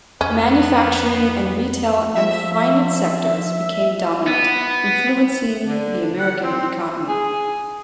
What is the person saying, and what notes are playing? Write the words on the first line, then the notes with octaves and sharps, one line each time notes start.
Manufacturing and retail and finance sectors became dominant, influencing the American economy.
F2 B3 C#4
F3 E5
B3
D3
F#5
C4
G#4